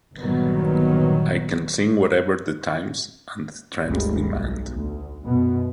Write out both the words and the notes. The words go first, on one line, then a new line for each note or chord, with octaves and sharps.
I can sing whatever the times and the trends demand.
G1 A#2 D#3 F#3 B3
G1 D2 G3 G#3 A#3
B1
D2
F#2 B2 B3